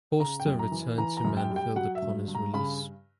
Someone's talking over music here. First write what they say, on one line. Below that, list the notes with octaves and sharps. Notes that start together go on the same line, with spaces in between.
Forster returned to Manfield upon his release.
C#3 A#5
G5
F#2
A#5
E3
E3 A#5
A#5
F#2
G5
G3
G5
F#3 F#5
E5
G2
G2
A#5
C#3 B5